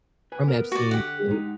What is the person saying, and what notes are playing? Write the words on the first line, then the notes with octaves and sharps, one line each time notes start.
from Epstein through
B4 G#5
B3 A#4
F#4 D5
D3 G4 F#5
G#3 D#4